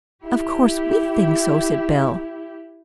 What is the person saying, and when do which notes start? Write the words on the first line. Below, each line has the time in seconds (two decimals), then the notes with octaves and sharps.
"Of course we think so," said Bell.
0.24 E4 G4